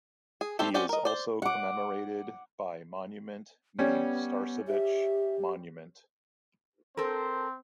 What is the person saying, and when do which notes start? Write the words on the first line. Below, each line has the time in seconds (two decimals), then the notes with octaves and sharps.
He is also commemorated by monument named "Starcevich Monument".
0.41 G#4
0.59 A3 C4 D4 G4 A4
0.74 C4 C#4 F#4 G4 D5
0.89 A#4 D#5
1.05 C5 D5
1.42 F#5 D6
3.79 G3 B3 C#4
4.68 G4 E5
6.97 C4 A4 A#4 C5